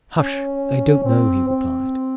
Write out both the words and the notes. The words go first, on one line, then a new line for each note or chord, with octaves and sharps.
"Hush, they don't know," he replied.
C#4
C4
C4